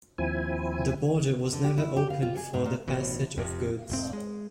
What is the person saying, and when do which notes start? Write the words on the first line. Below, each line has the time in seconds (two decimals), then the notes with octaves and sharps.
The border was never opened for the passage of goods.
0.18 D#2 F3 C4 E4 G#5
1.52 D3
1.64 G4
1.78 E4
1.97 G4
2.10 F5
2.23 F4
2.37 G#4
2.54 G#2
2.66 A#2
2.88 A1 B2
3.36 F1 F2 C3
3.90 E1 G#2 C4
4.13 G#3